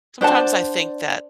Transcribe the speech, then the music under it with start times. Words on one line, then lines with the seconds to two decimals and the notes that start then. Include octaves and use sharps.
Sometimes, I think that
0.21 D4 C5 F#5 A5